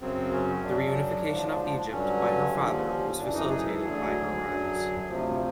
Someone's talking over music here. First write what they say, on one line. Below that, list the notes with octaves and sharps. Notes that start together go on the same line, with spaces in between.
The reunification of Egypt by her father was facilitated by her rise.
F#2 C#3 F#3 C4
C#4
F#2 C#3 F#3 D4
G#2 F3
G2 D3 F#3 C#4
D#2 D3 F3
F#2 C#3 E3 D4
D#4
G#4
A4
D2 D3 F#3 G#4
F#2 D3 F#3
D2 C3 F3